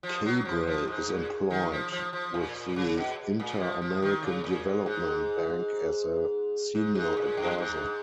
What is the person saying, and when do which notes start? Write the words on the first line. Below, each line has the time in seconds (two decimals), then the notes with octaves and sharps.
Cabral is employed with the Inter-American Development Bank as a Senior Advisor.
0.03 F3
0.25 F#3
0.45 F3
0.67 F3
0.88 G#2
1.09 A#2
1.51 D#3
1.72 F3
1.92 F3
2.13 F3
2.34 A#2
2.55 A#2
2.76 C#3
2.97 B2
3.40 A#2
3.60 F3
3.82 F3
4.02 D#3
4.23 C#3
4.44 A#2
4.65 G#2
4.86 G#2
6.75 G#2
6.95 G#2
7.17 A#2
7.37 F#2
7.58 G#2